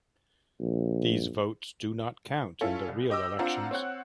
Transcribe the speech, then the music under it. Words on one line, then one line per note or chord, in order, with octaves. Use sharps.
These votes do not count in the real elections.
A#1
C#4 E4 F4 A4
C2
G4 D#5 D6 E6
C4 D4 F4 F#5 A#5
C4 C#5 F#5 F#6